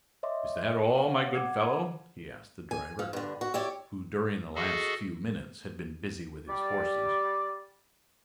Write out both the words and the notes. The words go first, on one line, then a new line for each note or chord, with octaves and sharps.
"Is that all, my good fellow?" he asked the driver, who during the last few minutes had been busy with his horses.
C#5 D#5 E5 C6 D6
C5 C#5 F5 F#5
F#5 D6 G#6
G#5
F3
G2 D3
F#4
E4 G4 C#5 D5
F#4 G#4 A4 D#5
G3 D5